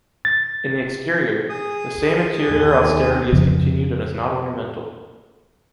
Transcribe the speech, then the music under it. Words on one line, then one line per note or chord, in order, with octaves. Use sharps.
In the exterior, the same interior austerity is continued and is not ornamental.
A6
G#4 D#6
D#2
F2 C#3 B3